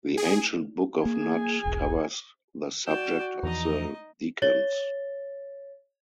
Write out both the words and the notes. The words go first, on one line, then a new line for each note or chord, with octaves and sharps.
The ancient Book of Nut, covers the subject of the decans.
G#4
A#3 G#4 G#5
E1 B1
F#4 D5 G5 E7
E2 E3 F3 D#4 D#5 A#5
C#5 A6 G7